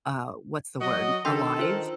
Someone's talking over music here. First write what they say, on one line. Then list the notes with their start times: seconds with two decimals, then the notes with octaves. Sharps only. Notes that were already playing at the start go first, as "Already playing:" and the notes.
uh, what's the word? Alive,
0.81 F#3 F#4 D#5
1.25 D#3 D4 A4 G5 C6
1.59 F4 C5